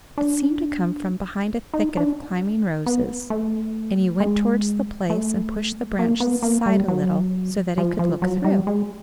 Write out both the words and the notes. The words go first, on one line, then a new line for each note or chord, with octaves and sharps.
It seemed to come from behind a thicket of climbing roses; and he went towards the place and pushed the branches aside a little, so that he could look through.
D4
D#4
D4
B3
A3
G#3
A3
A#3
B3
A#3
G3
F#3
F3
F3
F#3
G3
G#3